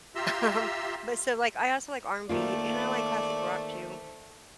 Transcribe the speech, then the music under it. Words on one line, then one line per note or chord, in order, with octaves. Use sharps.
Um, but so, like, I also like R&B, and I like classic rock too.
F4 G4 E5 A#5 C6 E6
D#3 A3 A#3 F4 C5 D5